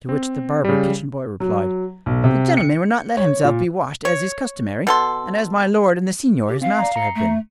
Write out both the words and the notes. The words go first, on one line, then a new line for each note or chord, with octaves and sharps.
To which the barber kitchen-boy replied, "The gentleman will not let himself be washed as is customary, and as my lord and the senor his master have been."
C4
C#3 G3
F#3
B1
C3
C#7
C#5
A#2
C#5
B2 A4 C6
G4
C4 F5
D5 A#5
A#5 C7 C#7
A3